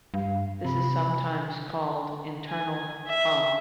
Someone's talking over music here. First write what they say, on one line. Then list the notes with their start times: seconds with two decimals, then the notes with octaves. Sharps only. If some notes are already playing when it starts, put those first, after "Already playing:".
This is sometimes called internal Hom.
0.14 G2 F5
0.64 C3 B5
2.49 G#5
3.07 E5